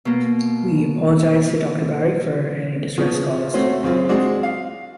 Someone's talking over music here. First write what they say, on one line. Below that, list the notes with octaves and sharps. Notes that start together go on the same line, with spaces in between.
We apologise to Doctor Bari for any distress caused.
B2 A#3
C#3 F3 B3
A3 C4 C#4 F#4 C5
F#2 C#3 C4 F4
G#3 C4 D4 F#4
F5